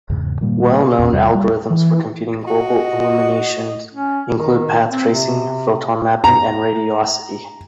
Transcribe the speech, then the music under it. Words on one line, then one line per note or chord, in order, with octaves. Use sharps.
Well known algorithms for computing global illumination include path tracing, photon mapping and radiosity.
E2 G#2 C#3
A#2 D#3 G3 A#3
E2 A#2 C#4
E2 C3 G3
G3
E3
F#4 D#5
C#4
D#3
C4
C3
A#5